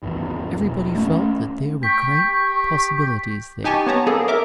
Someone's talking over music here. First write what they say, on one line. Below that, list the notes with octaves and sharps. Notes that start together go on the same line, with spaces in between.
Everybody felt that there were great possibilities there.
G#1 E2
E1
A3 C#4
G5 C#6 B6
G4
D#4 G4 G#5 A5 C#6
B3 C#5 A5 A#5
A#3 B3 G#4 A4
A#4 E5 D6